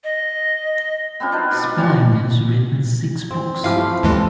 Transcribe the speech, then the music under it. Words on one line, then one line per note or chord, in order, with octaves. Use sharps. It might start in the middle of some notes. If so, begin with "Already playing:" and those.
Spelling has written six books.
D#5
B3 C4 D4 F4
D4 D#4 B4 C5
B2 D5
C4 F#4
C4
E3 F3 G4 F5 F6
A3 C4 B4
D#2 A2 E3 G#3 A4